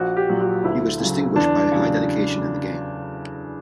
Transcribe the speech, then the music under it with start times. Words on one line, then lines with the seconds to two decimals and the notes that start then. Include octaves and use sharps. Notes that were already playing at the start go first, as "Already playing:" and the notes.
He was distinguished by high dedication in the game.
Already playing: A#1 F#4
0.16 G4
0.29 A#2 F#3
0.41 F#4
0.64 D2 E4
1.00 C#3 F#3
1.36 E2 D4
1.72 C#3 F#3